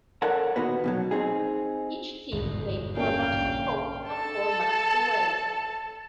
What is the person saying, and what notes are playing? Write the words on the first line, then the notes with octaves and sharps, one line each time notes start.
Each team played four matches at home and four matches away.
A4 A#4 C#5 D5 F#5
D#2 A#2 B3 D#4 F#4 B4
F2 B2 F#3
C4 D#4 G#4
G1 E2 G#2 B2 D#3
A#3 C#4 D4 F5 G5
A#1
A4 A5